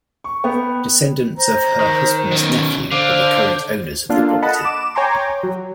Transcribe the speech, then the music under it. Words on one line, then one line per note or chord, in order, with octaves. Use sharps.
Descendants of her husband's nephew are the current owners of the property.
C#6
B3 G5 B5
C5 A#5
D#3
F#2 B2
D3 C5 F5 D6
A#3 D4 F4 A4
D#5 F#5 A5 B5
D6 E7
C#5 G5 G#5 A#5 C6 D6
F#3